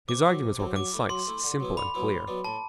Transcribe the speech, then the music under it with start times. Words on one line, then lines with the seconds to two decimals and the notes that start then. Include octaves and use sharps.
His arguments were concise, simple, and clear.
0.08 C3 D6
0.25 F#3 C4
0.43 C3
0.60 F#3 C4
0.76 F#3 D6
0.92 A3 E4
1.09 F#3 C6
1.27 A3 E4
1.44 D3
1.60 F#3 B3 E4
1.77 D3 B5
1.94 F#3 B3 E4
2.11 A2
2.28 F#3 B3 D4
2.44 A2 A5